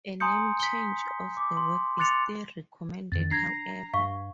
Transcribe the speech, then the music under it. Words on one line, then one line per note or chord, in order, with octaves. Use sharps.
A name change of the work is still recommended, however.
G#5 A#5 C6 D#6 G6 C#7
B6 G7
D6
C6
C6 D6 F#6 A6 C#7 F7
F2 D#3 A6
D4 A#5 G#6 A#6 C7
G2 F5 C#6